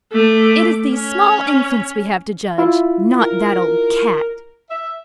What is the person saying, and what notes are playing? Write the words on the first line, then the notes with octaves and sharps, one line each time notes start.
It is these small infants we have to judge; not that old cat.
A3 D6
C#4 C#5
E4 F4
A#4
E5